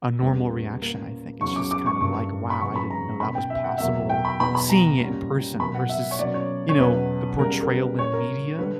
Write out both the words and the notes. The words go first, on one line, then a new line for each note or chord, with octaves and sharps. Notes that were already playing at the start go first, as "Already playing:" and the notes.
a normal reaction, I think. It's just kind of, like, "Wow. I didn't know that was possible," seeing it in person versus, you know, the portrayal in media,
E2 C#3 G3 B3
A#2 A#3 C#4
E2 C#3 F#3 C#4 C#6
D6
D6
C#6
G2 E3 A#3 C#4 C#6
B5
C#3 F#3 B3 C#6
B5
A#5
B2 A#3 C#4 B5
G5
E5
F#5
E2 B2 F#3 A#3 E5
G5
B5
E2 B2 F#3 B3 B5
B5
A#5
A#2 G3 C#4
B2 F#3 A#3 B5
F#5
E5
C#5
B2 F#3 A#3 C#4 D5
C#5
C#5
E2 B2 F#3 C#4 B4
C#3 E3 G3 B3 A#4
A#4
B4
A#2 A#3 C#4 C#5
A#4
D3 G3 B4